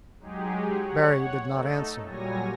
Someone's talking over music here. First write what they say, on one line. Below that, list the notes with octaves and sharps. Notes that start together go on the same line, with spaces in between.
Berry did not answer.
F#3 G#3 D#4 G4 G#4
C#5 F#5
A3 D#4 A4
A#2 F#3 G3 C#5 G#5 A#6